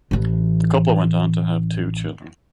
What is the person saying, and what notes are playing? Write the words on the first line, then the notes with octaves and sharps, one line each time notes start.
The couple went on to have two children.
A1 E3